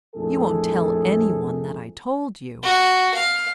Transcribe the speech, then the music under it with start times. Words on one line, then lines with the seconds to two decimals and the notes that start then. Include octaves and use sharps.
"You won't tell any one that I told you?"
0.15 A#1 F2 A2 G#4 A4
2.63 F#4
3.14 F5